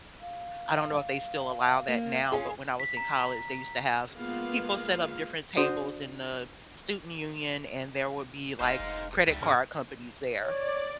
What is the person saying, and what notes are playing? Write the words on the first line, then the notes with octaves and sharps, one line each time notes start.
I don't know if they still allow that now, but when I was in college, they used to have people set up different tables in the student union and there would be, like, credit card companies there,
F5
A#3
C#4 F4 G#4
B6
A#5
G#3 A#3 B3 F4 F5
D4 F#4 C5 D#6
F1 G#3 D#4 C5 F5
F1
C#2 G#2 G3 E5
G#2 C3 D4 G#4 A#4
C#5 D5